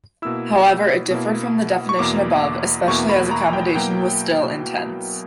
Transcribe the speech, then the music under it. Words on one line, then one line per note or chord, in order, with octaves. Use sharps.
However, it differed from the definition above, especially as accommodation was still in tents.
B2 A#3 E4 E6
B2 A#3 E4
C#6
E2 B2 A#3 E4 D6
E2 B2 A#3 E4 C#6
B5
A#5
G5
B2 F#3 A#3 E4 G5